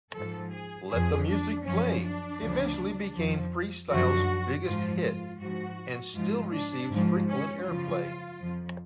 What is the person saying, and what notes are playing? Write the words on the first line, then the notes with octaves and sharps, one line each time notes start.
"Let the Music Play" eventually became freestyle's biggest hit, and still receives frequent airplay.
G#2 F3 A4
G#4
F2 F3 G#4
D4
F#2 F3 C#4
D4
D2 C#3 F3
F2 F3
F#2 D3 F3 F#4
G#2 F3 F4
F4
G#2 F3 F#4
G#2 F3 F4
D4
G#2 F3
C#4
F#2 C#3 F3 F4
F2 F3